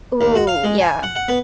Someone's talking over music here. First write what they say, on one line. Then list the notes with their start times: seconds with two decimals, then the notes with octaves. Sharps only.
Ooh, yeah.
0.21 D#2
0.35 F#4
0.47 F5
0.64 G#3
0.80 G#5
1.03 F#5
1.16 F#5
1.28 B3